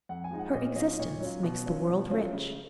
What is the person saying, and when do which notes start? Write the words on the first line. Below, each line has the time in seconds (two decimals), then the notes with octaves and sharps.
Her existence makes the world rich.
0.09 F2 F#5
0.24 G#5
0.31 F3 G#3 D#4
0.39 F#5
0.54 A#2 D#5
0.76 F#3 C#4 F4 D#5
0.99 A#2 C#5
1.20 F#3 C#4 F4
1.43 B2
1.66 F#3 C#4 F4
1.88 B2
2.11 F#3 C#4 F4
2.33 C#3